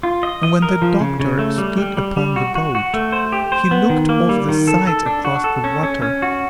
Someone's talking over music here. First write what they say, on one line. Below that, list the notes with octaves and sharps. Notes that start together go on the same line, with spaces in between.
And when the Doctor stood upon the boat, he looked over the side across the water.
F4
D#5
D#5
A#4
F3
C#3
C#3
A3
G3
G3
G3
G3
F#4
F#4
F#4
A3
C5
G4
C5
B3
D#3
A#3
G3
D#3
A4
A4
D4
F#4
A4
C#4
C#4
C#4
F#4